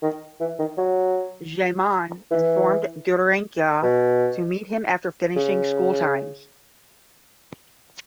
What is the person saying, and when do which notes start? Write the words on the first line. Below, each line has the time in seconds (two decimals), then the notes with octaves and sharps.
Jayamanne informed Deraniyagala to meet him after finishing school times.
0.02 D#3
0.40 E3
0.59 D#3
0.78 F#3
2.31 E3
3.83 B2
5.36 C#3